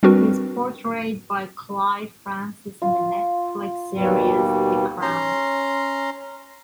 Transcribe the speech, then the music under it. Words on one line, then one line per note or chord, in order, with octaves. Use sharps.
He is portrayed by Clive Francis in the Netflix series "The Crown".
G3 C4 D4 F#4 A#4 B4
F4
D#2 B2 G3
C#4 A#5 C6